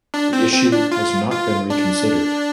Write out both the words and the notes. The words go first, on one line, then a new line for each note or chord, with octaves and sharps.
The issue has not been reconsidered.
D4
C4
C4
D4
F4
F4
D4